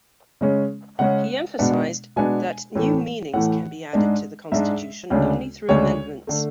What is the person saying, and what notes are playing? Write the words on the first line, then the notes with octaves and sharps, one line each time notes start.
He emphasized that new meanings can be added to the Constitution only through amendments.
C#3 G#3 C#4
C#3 G#3 C#4 F#5
B2 G#3 B3 D4
B2 G#3 B3 D4 G#5
A2 E3 A3
A2 E3 A3 F#5
G#2 G#3 D4
G#2 G#3 D4 E5
D2 C#3 G#3 D4
D2 C#3 G#3 D4 C#5
D3 A3